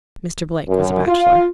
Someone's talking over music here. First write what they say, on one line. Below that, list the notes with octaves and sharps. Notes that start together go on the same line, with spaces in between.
Mr. Blake was a bachelor.
F#2
F4